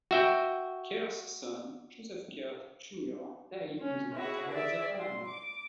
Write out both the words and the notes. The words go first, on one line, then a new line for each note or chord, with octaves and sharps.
Kerr's son, Joseph Kerr Junior died in the Battle of the Alamo.
F#4 E5 G5
C#4
E4 F#4 G#4
G#4 D5 E5
C6
D6